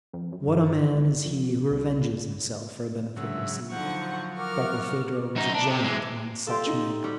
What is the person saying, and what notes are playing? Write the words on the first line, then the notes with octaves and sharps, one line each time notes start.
What a man is he who revenges himself for a benefit received! Barkilphedro was a giant among such men.
F2
F#2
G2
G#1
F2
C2
G#2 C#3 F#3 D4 E5
D3 F3 F#3 D#4 C5 F#5 C#6
A#4 F#5 C#6 D6 F6
F#2 D#4
D4
C3
E3 G#3
F4 G4 A4
D#4
G3 C4 F#4